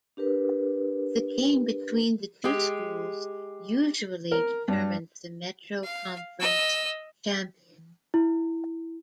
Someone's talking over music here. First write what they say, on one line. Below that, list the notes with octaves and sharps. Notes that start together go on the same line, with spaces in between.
The game between the two schools usually determines the Metro Conference champion.
D4 G4 A#4 B4
G#3 G4
A#4
G2
F5
D#5 E6
E4